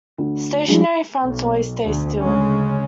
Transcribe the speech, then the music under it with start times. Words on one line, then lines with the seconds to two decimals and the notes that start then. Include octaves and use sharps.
Stationary fronts always stay still.
0.18 D2
0.68 F3 G3 G#3 D4 E4 F#4
1.25 B1
1.85 D2
2.19 C#3 G#3 C#4